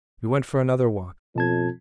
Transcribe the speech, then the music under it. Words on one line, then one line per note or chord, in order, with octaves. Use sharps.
We went for another walk.
F2 B2 A5 G#6